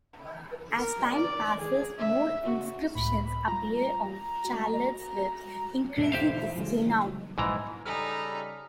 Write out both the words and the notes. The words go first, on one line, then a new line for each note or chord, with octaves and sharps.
As time passes, more inscriptions appear on Charlotte's webs, increasing his renown.
A#4
D5
G#4
E5
F#4
C#2 A2 B5
G3 F4 A#5
F#4
D#2 G#2 B2 D3 A3
E3 G4 C5 F5
C#3 G#3
F#3 G3 A#3
A#1 G#2 E3 A#5
C#3 G3 D#4 A4 G#5 A#5 B5 F6